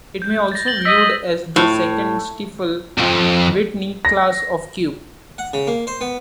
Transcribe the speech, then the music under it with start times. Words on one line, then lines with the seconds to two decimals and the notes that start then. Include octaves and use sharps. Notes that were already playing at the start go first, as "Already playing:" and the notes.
It may also be viewed as the second Stiefel-Whitney class of "Q".
0.22 G6
0.52 A6 A#6
0.66 A6 F#7 G7
0.85 D#5 E6 A#6 B6
0.98 A#6 B6
1.56 A2
2.98 C2 F2
4.05 A#6
5.38 F#5
5.54 C#3
5.67 A#3
5.87 C5
6.01 B3